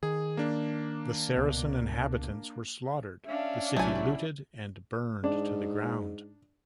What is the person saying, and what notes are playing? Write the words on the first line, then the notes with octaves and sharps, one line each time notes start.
The Saracen inhabitants were slaughtered, the city looted and burned to the ground.
D#3 G#4
A#3 D4
C#2 B2
C#4 D4 E5 F5
B1 C3 F#3 A3 E4 G#5
G#2 D4